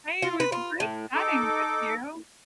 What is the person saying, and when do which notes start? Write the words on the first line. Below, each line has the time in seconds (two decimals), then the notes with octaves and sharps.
Hey, it was great chatting with you.
0.22 F4
0.40 B4
0.52 F4
0.80 A2
1.15 D#4 A4 D6